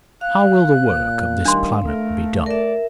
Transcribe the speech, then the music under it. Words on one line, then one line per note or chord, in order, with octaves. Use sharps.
How will the work of this planet be done?
F5 F#6
A#2
A2 D#3 G3 D4 C6
A3 A#4
A#4 D5 E5